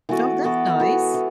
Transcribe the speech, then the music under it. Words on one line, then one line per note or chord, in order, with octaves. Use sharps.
Oh, that's nice.
E3 B3 F#4 A4
E3 B3 F#4 A4
E3 B3 F#4 A4
E3